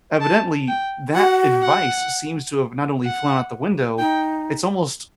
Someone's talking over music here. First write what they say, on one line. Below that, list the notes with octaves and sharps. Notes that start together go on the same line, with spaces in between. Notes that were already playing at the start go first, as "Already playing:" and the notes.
Evidently, that advice seems to have not only flown out the window, it's almost
A5
G5
F#4 F#5
F#5
F#5
D#4 G5